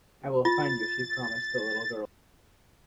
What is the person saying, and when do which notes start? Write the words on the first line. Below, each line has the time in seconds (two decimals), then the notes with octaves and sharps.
"I will find you.", she promised the little girl.
0.45 F4 A6